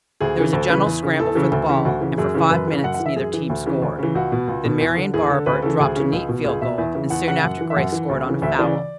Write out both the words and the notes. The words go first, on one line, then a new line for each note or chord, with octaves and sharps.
There was a general scramble for the ball, and for five minutes neither team scored; then Marian Barber dropped a neat field goal, and soon after Grace scored on a foul.
D2 G#4
C#3 E3
D2 A4
C#3 E3 B4
E2
C#3 E3
E2 A4
C#3 E3
D2
C#3 E3
D2 F#4
C#3 E3
F#2 G#4
C#3 E3
F#2 B4
C#3 E3
F#2 F#5
F#5
E3
E5
F#2 G#4
E3
D2
C#3 E3
D2
C#3 E3
C#2 F#4
B2
C#2
B2
E2
D3
E2 G#4
D3 A4
D2 B4
C#3 E3 A4
D2 G#4
C#3 E3
C#2
B2
C#2 G#4
B2 E5
E2 E5
C#3 E3
E2 F#5
C#3 E3 F#5
F#2
E3
E5
F#2 F#5
E3
D2
C#3 E3
D2 E5
C#3 E3 D5